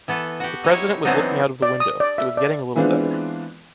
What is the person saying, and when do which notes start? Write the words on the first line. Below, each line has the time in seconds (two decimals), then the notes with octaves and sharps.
The president was looking out of the window, it was getting a little better.
0.08 E3 B3 A4
0.40 F#4 G4
0.64 D#4 E4 C#5
1.05 E3 F#3 B3 C4 D4 D#4
1.62 D5
1.80 D#6
2.00 D5
2.18 E5
2.37 D5
2.76 E3 G#3 B3 C4 D4 F4